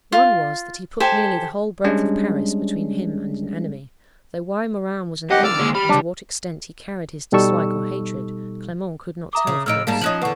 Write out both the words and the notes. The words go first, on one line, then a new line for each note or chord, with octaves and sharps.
One was, that he put nearly the whole breadth of Paris between him and an enemy; though why Morin was an enemy, and to what extent he carried his dislike or hatred, Clement could not tell, of course.
F4
G4 A4 C5 G#5
G3 G#3 C#4 D4
C#2 F#2 G4 D#5 F#5
D5 D6 E6 F6
D3 G#3 A#3
G3 B5 F6
C#2 F#3 D4
B2 G3 D#4 A4 C#6 E6
E5 A#5 D6 D#6
C#3
A2 F3 D#4 E6 F6 D7
G#2 G3 A#3 F5 A5
F3 C#4 D#4 D#6 F#6 F#7
E2 D3 B4 F#5 C#6